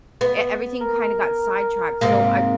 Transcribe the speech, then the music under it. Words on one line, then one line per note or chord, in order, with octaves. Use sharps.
e everything kinda got sidetracked, so I
B3
A#4
G#2 C3 A#3